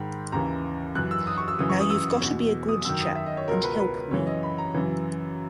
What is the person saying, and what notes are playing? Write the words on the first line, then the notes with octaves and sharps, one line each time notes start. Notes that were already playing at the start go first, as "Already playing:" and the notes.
Now you’ve got to be a good chap and help me.
Already playing: G#2 D#3 B5
D#2 C#3 E3 A#5
F#2 E3 F#6
E6
D#6
C#6
E6
F#2 C#3 E3 D#6
C#6
D#6
E6
E2 B2
D#6
F#2 D#3 E6
D#6
E5
D#5
C#5
C#2 B2 A#4
B4
B4
F#2 C#3 E3 C#5
D#5
B5
A#5
F#2 C#3 E3